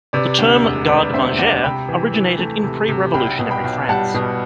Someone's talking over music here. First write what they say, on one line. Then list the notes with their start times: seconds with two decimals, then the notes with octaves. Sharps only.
The term "garde manger" originated in pre-Revolutionary France.
0.13 C3 B4 D5
0.38 D2
0.63 E1
0.88 E1 B4 D5
1.14 D2 C5 E5
1.39 D2 D5 F#5
1.63 C3 G5 B5
1.89 E3
2.14 E3
2.38 A3
2.64 C3
2.89 C3
3.14 B1 G5 B5
3.39 B2
3.51 G5 B5
3.64 B1
3.88 G3 F#5 A5
4.14 B2